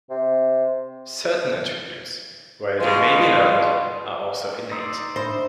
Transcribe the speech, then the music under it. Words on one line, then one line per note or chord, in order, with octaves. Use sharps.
Certain attributes, while they may be learned, are also innate.
C3
B2 G#3 F4
D#4 D5 C6 E6 C7
A2 D4 C5 E5 B5 A#6